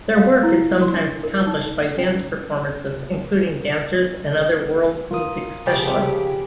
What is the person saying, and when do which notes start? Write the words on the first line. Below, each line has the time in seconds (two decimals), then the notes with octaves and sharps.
Their work is sometimes accompanied by dance performances, including dancers and other world-music specialists.
0.15 F5
0.43 E4
0.82 C6
0.94 D4
1.23 A#4
1.47 D#4
1.98 C#4
5.11 F4 A#4 D#6
5.66 C#3 F3 B3 G4